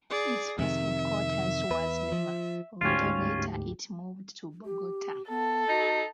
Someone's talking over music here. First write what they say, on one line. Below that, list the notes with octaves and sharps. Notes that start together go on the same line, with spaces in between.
Its first headquarters was Lima, although later it moved to Bogota.
G#4 D5
F2 C3 D#3 E5
E2 B4
F3
D2 G#2 C#4 F4 G4
G4
B3 A4
D#4 F#4